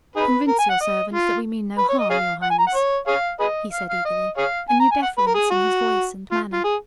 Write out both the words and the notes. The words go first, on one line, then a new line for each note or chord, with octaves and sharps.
"Convince your servant that we mean no harm, your highness," he said eagerly, a new deference in his voice and manner.
D#4 G#4 B4
A#4
G#5
F#5
D#5
F4
B4
C#5
D#5
G#4 C#5 F5
F#5
G#5
A#5
F#5
C#5
G#4 C#5 F5
G#4 B4 D#5
F5
F5
D#5
G#4 C#5 F5
G#5
A#5
G#5
F#5
B4
A#4
G#4
F#4
F4
F4
G#4